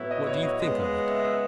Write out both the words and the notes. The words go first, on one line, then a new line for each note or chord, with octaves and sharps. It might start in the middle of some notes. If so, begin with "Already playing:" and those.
What do you think of it?'
Already playing: A2 F#3 B3 E4 E5
D#5
C#5
D#5
C#3 G#3 B3 D#5
E5
E5